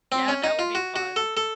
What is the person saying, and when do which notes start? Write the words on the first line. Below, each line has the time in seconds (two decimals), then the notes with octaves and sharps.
Yeah, that would be fun.
0.12 C4
0.28 C#4
0.44 D#4
0.59 F4
0.75 F#4
0.96 F#4
1.16 A4
1.37 A4